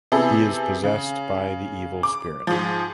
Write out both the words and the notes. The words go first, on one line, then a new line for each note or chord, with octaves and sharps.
He is possessed by the evil spirit.
C3 B3 E4 G#4 A4
C#3
D6
G#2 F3